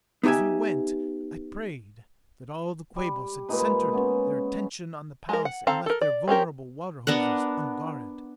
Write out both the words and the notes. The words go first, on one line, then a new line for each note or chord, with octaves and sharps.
As we went I prayed that all the Quabos had centered their attention on the palace and left their vulnerable water-hoses unguarded.
B3 D#4 G4 E5 G#5
G3
A#2 G#3 D#4 B4
G#3 B3 C#4
G#3 A#4
F#5
C4 A4 F5 A5 A#5
A4 A#4
D5
C4 C#4 G4 A#4
B3 D4 A#4 F#5